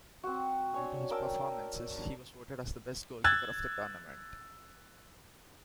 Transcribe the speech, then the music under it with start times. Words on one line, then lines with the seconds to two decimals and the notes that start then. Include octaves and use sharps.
Due to his performances, he was voted as the Best Goalkeeper of the Tournament.
0.23 C4 F#4
0.74 D4 C#5 G#5
1.11 A#4 G5 A5 E6
3.24 E6 F#6 G#6 A6